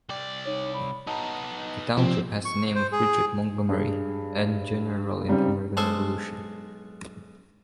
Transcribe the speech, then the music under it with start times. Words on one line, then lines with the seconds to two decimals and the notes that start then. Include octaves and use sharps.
The township has the name of Richard Montgomery, an general in the American Revolution.
0.09 C2 D5 G5
0.45 D#4 C#5
0.74 B5
1.07 B3 D#4 A5 A#5
1.97 C3 F3 C4
2.45 C#6
2.75 C5
2.92 G#4
3.69 G2 G#4
5.28 G#2 C#3 G3 C4
5.77 B1 G#3 A4 C5 G#5